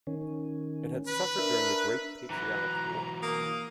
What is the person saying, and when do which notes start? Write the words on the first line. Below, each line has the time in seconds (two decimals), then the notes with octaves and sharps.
It had suffered during the Great Patriotic War.
0.07 D#3 C#4
1.08 B4
1.38 D4 A#4 E5
2.30 E3 F#3 B4 A#5
3.22 A#3 D#6